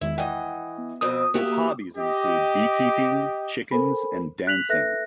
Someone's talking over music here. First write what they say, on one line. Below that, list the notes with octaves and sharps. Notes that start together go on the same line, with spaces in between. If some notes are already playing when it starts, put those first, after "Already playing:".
His hobbies include beekeeping, chickens and dancing.
E2 D#3 G#3 E4
E3 D#5 F#5 G5
B3
F2 B2 C4 D#6
A#3 F#4 G4 E5
G4 D#5
A4 A#4 C5 G#5 B5
F#6 B6 F7 F#7
A4 B4 E5 F#6 A#6